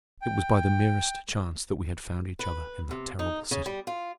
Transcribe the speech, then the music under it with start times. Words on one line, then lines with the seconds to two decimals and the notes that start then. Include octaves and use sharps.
It was by the merest chance that we had found each other in that terrible city.
0.22 G5
2.39 B4
2.91 C3
3.19 D#4
3.51 C#3
3.66 G3
3.87 F4